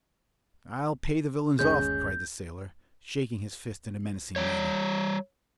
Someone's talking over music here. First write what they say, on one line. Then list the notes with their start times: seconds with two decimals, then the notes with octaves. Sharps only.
"I'll pay the villains off!" cried the sailor, shaking his fist in a menacing manner.
1.59 G1 D#2 G#3 C#4 G6
4.36 G3 C#5